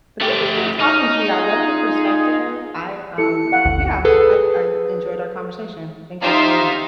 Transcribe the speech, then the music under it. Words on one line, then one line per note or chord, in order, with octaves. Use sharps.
But this was good talking to you. I love your perspective. I, um, yeah, I I enjoyed our conversation. Thank you so much.
A3 G4
C#3 D#4 D#5 F6
F4 G#4
E4 G4 A4 C#7
F5 F#5
G1 D2
G#4 A4 B4
D#4 F4 G4 C5 E5 F5